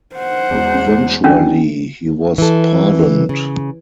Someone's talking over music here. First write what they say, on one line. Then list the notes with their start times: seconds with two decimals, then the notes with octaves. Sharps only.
Eventually he was pardoned.
0.16 C5 F#5
0.51 E1 E2
1.24 D#3 F#3 C#4 D4 D5
2.38 E3 A4
3.29 C#3